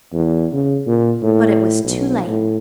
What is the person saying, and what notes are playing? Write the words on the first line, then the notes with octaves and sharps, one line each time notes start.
But it was too late.
E2
C#3
A#2
A2
B1
A2